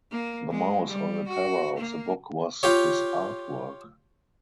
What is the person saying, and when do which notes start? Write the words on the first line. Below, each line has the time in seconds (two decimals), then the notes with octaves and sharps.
The mouse on the cover of the book was his art work.
0.11 A#3
0.51 G#3
0.87 G3
1.28 F#4
1.77 A#3
2.63 F4 G4 C#5